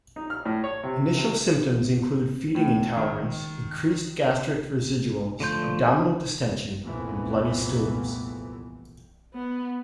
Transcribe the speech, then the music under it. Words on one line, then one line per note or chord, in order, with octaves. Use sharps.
Initial symptoms include feeding intolerance, increased gastric residuals, abdominal distension and bloody stools.
D#4
F6
A2
C#5
C3
C3
A2
D#3
D3 F3 A3 C6 G6
C2 F2 A#2 E3 A3 B3
B3